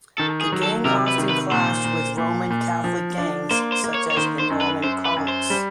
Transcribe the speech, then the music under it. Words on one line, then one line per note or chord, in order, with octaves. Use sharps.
The gang often clashed with Roman Catholic gangs such as the Norman Conks.
D#3 A4
G#4
F#3
A4
C3 A#4
B4
D#3
B4
A#2 C5
A#2
A#2
A#2
F3
D4
A#3 C5
C5
A#3
C#5
C#5
D#3 C5
C5
F#2
B4
F#2 C5
B4
F#2
C5
G3